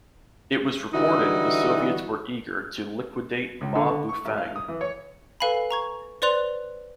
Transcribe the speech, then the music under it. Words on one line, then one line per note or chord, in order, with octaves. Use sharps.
It was reported the Soviets were eager to "liquidate" Ma Bufang.
D3 E3 G3 D#4 E4 F#4
C#2
D3
D3
C#6
A1
F5
D#6
E3
C#5
A4 B4 F5 G#5 B5
A#5 C#6 G#6
B4 C5 D5 C6 F#6 F7